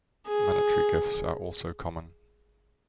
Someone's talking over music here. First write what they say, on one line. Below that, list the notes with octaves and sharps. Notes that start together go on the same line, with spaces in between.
Monetary gifts are also common.
G#4